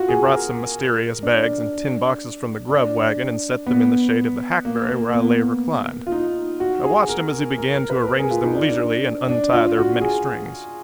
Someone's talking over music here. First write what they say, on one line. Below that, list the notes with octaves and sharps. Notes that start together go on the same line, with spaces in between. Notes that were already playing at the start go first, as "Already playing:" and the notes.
He brought some mysterious bags and tin boxes from the grub wagon and set them in the shade of the hackberry where I lay reclined. I watched him as he began to arrange them leisurely and untie their many strings.
Already playing: F4 F#4
G#4
A#4
D4
D4
B3
A#3
A#3
B3
F4
D#4
F#4
G#4
A#4
A#4
A#4
B4
A#4
G#4
F4
D#4
D4
D4
F4
F#4
G#4